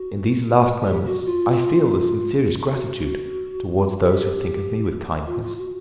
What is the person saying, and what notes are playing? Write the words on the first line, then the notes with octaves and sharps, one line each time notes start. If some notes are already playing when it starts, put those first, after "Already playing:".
In these last moments I feel the sincerest gratitude towards those who think of me with kindness.
Already playing: F#4
G4
F#4
F4
F#4
G4
F4
F4
F#4